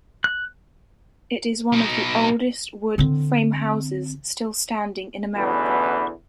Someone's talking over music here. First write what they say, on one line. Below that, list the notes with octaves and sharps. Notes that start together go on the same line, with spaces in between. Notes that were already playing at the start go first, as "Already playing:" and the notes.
It is one of the oldest wood frame houses still standing in America.
F#6
B2 D#4
D3 C4
A1 E2 B2 D3 E3 B4